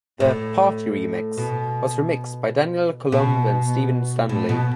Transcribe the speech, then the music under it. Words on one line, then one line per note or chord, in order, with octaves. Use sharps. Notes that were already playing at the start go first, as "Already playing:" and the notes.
The 'Party Remix' was remixed by Daniel Coulombe and Steven Stanley.
A2
B2
B2
A2
B2